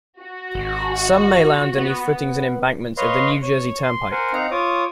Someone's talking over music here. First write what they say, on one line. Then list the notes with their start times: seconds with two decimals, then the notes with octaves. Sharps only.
Some may lie underneath footings and embankments of the New Jersey Turnpike.
0.20 F#4
0.55 G#1
1.78 B3
2.97 B4 C#5 D#5 F5 C6
3.42 C#5
3.82 C6
4.12 A#4 C5 F#5 G#5
4.33 C4 D#4 F5 F#5 A#5
4.51 F4 C#5 D6 D#6